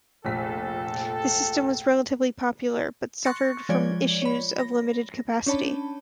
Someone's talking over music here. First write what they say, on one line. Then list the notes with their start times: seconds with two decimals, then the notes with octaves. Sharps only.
The system was relatively popular, but suffered from issues of limited capacity.
0.25 F1 A#1 A4 G5 B6
3.25 C6 C#6 F#6 A6 A#6 C#7
3.69 F3 G#3 F4 C#5 D5 G#6
4.22 C#5 B5
4.59 A#6
5.46 C#4 D4 C#5 A5 B5